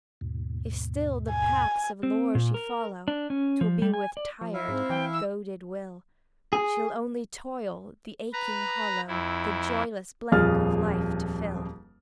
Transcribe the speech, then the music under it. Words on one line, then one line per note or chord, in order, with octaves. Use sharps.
If still the paths of lore she follow, 'Twill be with tired and goaded will; She'll only toil, the aching hollow, The joyless blank of life to fill.
D#2 G#2 B2
G#5
C4
A#2
A#4
D4
C#4
F3
G3
G#5
D5
F3
E4 E5 F5
G#2 C4
E3 G5
E6
G#4
B4 A#5
F2 E4
D#1 F2 F4 G#4 F6 A6